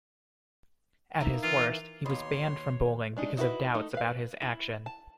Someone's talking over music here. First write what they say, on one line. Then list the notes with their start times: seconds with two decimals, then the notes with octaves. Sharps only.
At his worst, he was banned from bowling because of doubts about his action.
1.20 A#3 D#4 E4
1.43 E3 F4 D5
2.06 D#2 B2 C#5 C6
3.17 G#3 D4 D#4
3.37 D#4 E4 F#4 A4 B4
3.74 A3 D#4
3.94 B4 F5
4.42 E4
4.86 A5